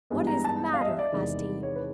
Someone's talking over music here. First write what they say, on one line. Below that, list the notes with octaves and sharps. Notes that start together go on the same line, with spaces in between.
'What is the matter?' asked he.
G2 E3 G#3 B3
A#5
A5
F5
D#5
E5
D5
E2 C3 D#3 G#3
C#5
B4